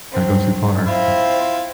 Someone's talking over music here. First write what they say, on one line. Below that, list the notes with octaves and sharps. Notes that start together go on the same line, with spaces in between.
not go too far. Yeah.
F#3 C4
C4 E4 F4 F5